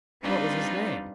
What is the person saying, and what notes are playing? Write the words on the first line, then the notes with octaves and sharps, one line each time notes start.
"What was his name?"
G3 C4 D4 D#4 F4 B4